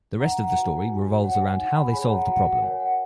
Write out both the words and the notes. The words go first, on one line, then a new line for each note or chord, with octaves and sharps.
The rest of the story revolves around how they solve the problem.
D#4 F#5 A#5
F#5 A#5
F#4 B4
G#5
F#4 G#5
C#5 F#5
G#5
D#4 F#5
G#5 B5
G#4 C#5 G#5 B5
F#5 A#5
F#4 F#5
F#5
A#4 C#5 G#5
F#5